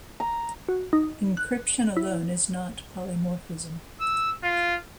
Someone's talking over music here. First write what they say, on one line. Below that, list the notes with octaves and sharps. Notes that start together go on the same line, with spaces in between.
Encryption alone is not polymorphism.
A#5
F#4
D#4
F#6
E4
E6
F4